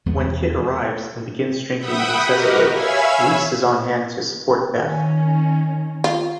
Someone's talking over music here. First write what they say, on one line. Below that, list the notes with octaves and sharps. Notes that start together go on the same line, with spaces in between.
When Kit arrives and begins drinking excessively, Rhys is on hand to support Beth.
E2 G#3 B3
E5 F#5 G5 B5 D#6
F#4 G4 A#4 B4 D#5
C#5 E5 F5 G#5 B5 E6
D#3 C#4
F4